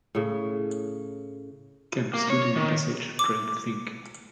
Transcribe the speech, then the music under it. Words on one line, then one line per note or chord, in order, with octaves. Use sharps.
Kemp stood in the passage trying to think.
A2 C#3
A#3
C#5
D#3
D6